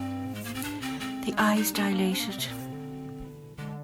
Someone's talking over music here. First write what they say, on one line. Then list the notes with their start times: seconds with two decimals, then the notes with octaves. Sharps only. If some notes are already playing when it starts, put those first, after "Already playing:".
The eyes dilated.
Already playing: G2 C4
0.26 G#2
0.35 G#3
0.44 A#3
0.54 C4
0.63 G2 D4
0.73 G#2
0.81 C3 C4
0.91 D3
1.00 G#3 C4
1.32 G#3
1.37 G3 D#4
1.56 D#4
1.74 A#3 D4
1.92 A#3
2.11 C4 D4
2.20 A#3
2.29 G3 C4
2.38 C3 A#3
2.48 A#2 C4
2.60 C3
2.72 D3
3.58 D3 G#3